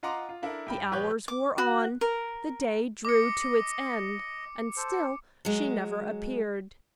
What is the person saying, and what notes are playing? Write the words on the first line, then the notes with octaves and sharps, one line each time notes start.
The hours wore on; the day drew to its end--and still she never appeared.
F4 D#5 F#5 A#5 C6 D6
F4
D4 E4 A4 A#4
G2 G5 B5
A#1 G4 B4 C#5 F#6 G6
D6
F#4
A#4
D#5 D6 C#7
A4 C5
F#3 G#3